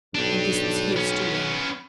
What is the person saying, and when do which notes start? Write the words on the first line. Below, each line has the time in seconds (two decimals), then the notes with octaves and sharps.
And this was his doing.
0.15 B1 D4 G4
0.97 B3 C#4